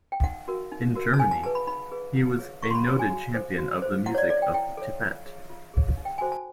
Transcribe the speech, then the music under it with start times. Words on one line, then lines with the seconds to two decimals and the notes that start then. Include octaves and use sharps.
In Germany, he was a noted champion of the music of Tippett.
0.12 G5
0.24 D#4 F#5
0.48 F#4 A#4
0.72 D#4
0.95 F#4 A#4
1.14 A5
1.19 D#4 G#5
1.31 A5
1.43 G#4 B4 A5
1.55 B5
1.67 D#4 B5
1.92 G#4 B4
2.15 E4
2.39 G#4 C#5
2.63 E4 C#6
2.70 C6
2.75 B5
2.87 G#4 C#5 A5
2.99 G#5
3.10 F#4
3.34 A4 C5
3.58 F#4
3.82 A4 C5
4.06 E4 F#5
4.15 C#5
4.18 D5
4.30 A4 D5
4.34 C#5
4.42 G5
4.54 E4 G5
4.77 A4 C#5
5.02 F4
5.26 G#4 C#5
5.50 F4
5.74 G#4 C#5
5.97 D#4
6.05 G5
6.18 F#4 A4 C5 G#5
6.32 A5